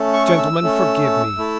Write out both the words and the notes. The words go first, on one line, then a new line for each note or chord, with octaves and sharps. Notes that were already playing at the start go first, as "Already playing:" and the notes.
Gentlemen, forgive me!
Already playing: A3 C#4 A4
C#6
C#6
E6
A3 C#4 A4
A3 E4 A4